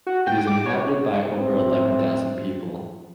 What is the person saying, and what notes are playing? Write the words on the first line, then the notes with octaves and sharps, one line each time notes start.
It is inhabited by over eleven thousand people.
F#4
G5
D6
C#5
A2 C4